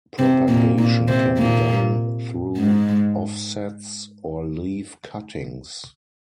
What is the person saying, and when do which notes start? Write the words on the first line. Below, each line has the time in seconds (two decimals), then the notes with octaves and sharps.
Propagation can be done through offsets or leaf cuttings.
0.18 C3 C4
0.48 A#2 A#3
0.78 A#2 A#3
1.08 C3 C4
1.38 A#2 A#3
2.58 G#2 G#3